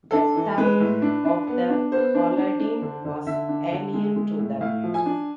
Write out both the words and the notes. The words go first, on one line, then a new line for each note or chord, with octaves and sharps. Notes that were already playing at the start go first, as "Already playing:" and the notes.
The tongue of the Haladin was alien to them.
D4 A4
E3
G#3 B4
A2
D4
D4
B3
D4
B3 C5
D4
D4
D4
D3
D3
D3 E5
D4
D3
G#3
G#3
A2
A2 F5
F3
G#5
D4